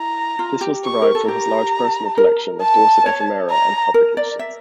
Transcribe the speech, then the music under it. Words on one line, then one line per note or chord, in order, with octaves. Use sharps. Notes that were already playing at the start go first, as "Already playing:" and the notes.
This was derived from his large personal collection of Dorset ephemera and publications.
Already playing: E4 A#5
F4
G4
C#6
A#4
A4
G4 A#5
A#4
A5
C#5
A#5
A#4
D5
E5